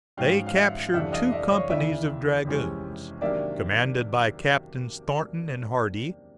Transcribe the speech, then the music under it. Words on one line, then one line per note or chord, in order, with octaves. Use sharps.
They captured two companies of dragoons, commanded by Captains Thornton and Hardee.
G#2 F3 G#3 C#4 F#4 F5 G5
F5
E5 F#5
F2 C3 E3 A3 D4 E5 F#5
D#5 F5
D5 E5
C#5 D#5
D#2 C#3 E3 D5 E5
F2 C3 E3 G#3 C#4
C3 D#3 F#3 A#3 D4 D5 E5